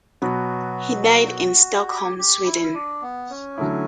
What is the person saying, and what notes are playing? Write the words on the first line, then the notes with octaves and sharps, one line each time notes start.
He died in Stockholm, Sweden.
B2 F#3 B3 F#4
G4
G4
E4
D4
B3
C#4
D3 F#3 A3 E4